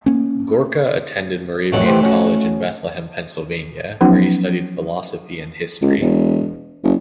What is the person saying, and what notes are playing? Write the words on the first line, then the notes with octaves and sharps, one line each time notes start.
Gorka attended Moravian College in Bethlehem, Pennsylvania, where he studied philosophy and history.
A#3 C#4
A1 F2 D#3 F#3 A3 F#5
E3 G4 C5
C#4 F#4
F3 F#3 B3 C#4 D#4 F#4
C#2
E1
F#1